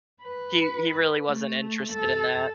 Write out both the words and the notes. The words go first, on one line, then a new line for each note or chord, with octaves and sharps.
he he really wasn't interested in that.
B4
A3
A4